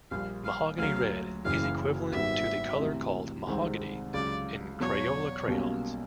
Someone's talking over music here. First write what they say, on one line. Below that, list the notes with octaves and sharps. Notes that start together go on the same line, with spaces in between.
Mahogany red is equivalent to the color called "mahogany" in Crayola crayons.
A#1 A#2 G3 A#3 F5
F5
D2 C#3 F#3 F5
F#1 F#2 C#3 E3 F5
G#1 G#2 D#3 G3 B3 E5
D2 C3 E3
C2 C3 D#3 G#3 C4
C#2 C#3 F#3 D5
E2 B2 F#3 C#5
B1 B2 G3 A#3 C#4